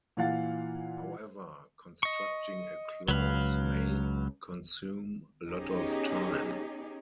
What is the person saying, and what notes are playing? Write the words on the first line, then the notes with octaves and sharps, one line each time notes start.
However, constructing a clause "may" consume a lot of time.
A#2 E3 F4 F5 F#5 A6
D#5 C#6
C#2 F#3 B4 F5
B3 C#4 D#4 G4 G#4